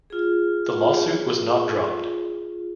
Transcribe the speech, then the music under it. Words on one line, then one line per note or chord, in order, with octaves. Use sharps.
The lawsuit was not dropped.
F4 G#4